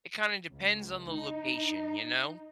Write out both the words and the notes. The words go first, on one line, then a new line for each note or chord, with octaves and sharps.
it kinda depends on the location, you know?
C#2
D#4